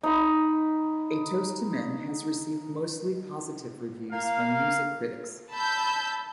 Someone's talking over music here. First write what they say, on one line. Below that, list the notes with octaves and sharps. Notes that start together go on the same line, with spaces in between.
"A Toast to Men" has received mostly positive reviews from music critics.
D#4 B5
A#3 F5
A5 B5 E6 G6